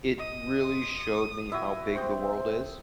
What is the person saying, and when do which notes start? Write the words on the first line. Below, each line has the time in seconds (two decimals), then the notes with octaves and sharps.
it really showed me how big the world is.
0.19 D#5 D#6
0.64 C6
1.52 E4 F#4 E5
1.95 C4 C5 G5 D#6